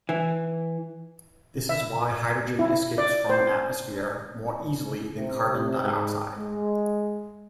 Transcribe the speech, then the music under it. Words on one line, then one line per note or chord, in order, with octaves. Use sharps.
This is why hydrogen escapes from an atmosphere more easily than carbon dioxide.
E3
E5
E4
D5
C5
C3
G#2
G#3